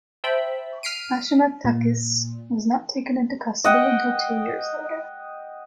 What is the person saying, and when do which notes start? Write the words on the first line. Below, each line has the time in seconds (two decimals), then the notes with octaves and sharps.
Ashima Takis was not taken into custody until two years later.
0.24 C5 E5 G5 A5 B5
0.83 F6 B6 C7 D7 D#7
1.65 A#2
3.65 D#5 F#5 G5